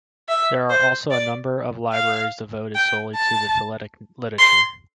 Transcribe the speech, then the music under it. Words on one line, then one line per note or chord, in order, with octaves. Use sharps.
There are also a number of libraries devoted solely to philatelic literature.
E5
C5
D5
F5
G5
A5
C6